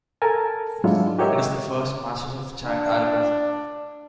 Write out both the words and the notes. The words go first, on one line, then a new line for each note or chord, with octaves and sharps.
It is the first "Masters of Chant" album.
A4 A#4 G#5 A5
G#2 F#3 G#3 D4 E4 F4
F#4 G4 A#4 C#5 D#5 E5
D4